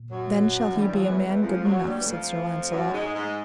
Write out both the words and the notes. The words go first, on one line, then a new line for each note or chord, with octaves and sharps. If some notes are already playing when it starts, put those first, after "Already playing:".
Then shall he be a man good enough, said Sir Launcelot.
Already playing: A#2
F#2 F#3
G2 E3 G3
F#2 F3 F#3
G#3
E2 E3 G3
E2 E3 G#3
F2 F3 G#3
F#2 F#3 A3
G2 G3 A#3
E3 G#3
F2 F3 A3
F#2 F#3
G#2 G#3
G#2 G#3